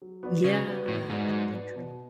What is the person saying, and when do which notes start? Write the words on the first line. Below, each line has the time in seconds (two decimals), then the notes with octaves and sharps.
Yeah, that's so true.
0.02 F#3
0.23 B3 F#4 B4 D5
0.44 C#3 F#3
0.67 B3 F#4 B4 D5
0.88 A2 F#3
1.10 G#2 B3 F#4 B4 D5
1.32 F#3
1.54 B3 F#4 B4 D5
1.76 B2